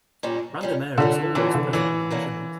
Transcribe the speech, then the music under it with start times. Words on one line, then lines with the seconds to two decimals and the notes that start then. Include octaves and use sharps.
Random error is always present in a measurement.
0.23 A#2 G3 C#4
0.61 A#2 G3 C#4
0.98 A#2 D3 G3 C#4
1.35 A#2 E3 G3 C#4
1.55 D3
1.73 D3 E3 A#3 C#4 F#4
2.11 D3 A#3 C#4 F#4